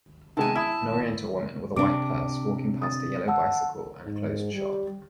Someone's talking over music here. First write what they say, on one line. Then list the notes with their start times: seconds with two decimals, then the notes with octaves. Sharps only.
An oriental woman with a white purse walking past a yellow bicycle and a closed shop.
0.37 C3 D#3 G#3 B3 G#5 A5
0.55 E4 E5 D#6
1.76 C3 D4 D6 D7
2.82 D#6 A6
3.28 F#5 A5 E6
4.05 G#2
4.54 G3